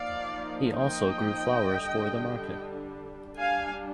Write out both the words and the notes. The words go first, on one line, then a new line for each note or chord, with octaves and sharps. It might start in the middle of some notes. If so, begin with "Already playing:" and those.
He also grew flowers for the market.
Already playing: F3 A#3 D#4 D5 F5
D#5 G5
D3 G3 D4
G3 D4 F5 G#5